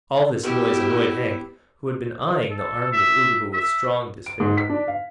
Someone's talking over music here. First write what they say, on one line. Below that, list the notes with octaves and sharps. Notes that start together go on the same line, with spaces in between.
All this noise annoyed Hank, who had been eyeing the Army of Oogaboo with strong disfavor.
B2 B3 E4 G4
A4
E5
E5
D7
G#2
B6
D4
F5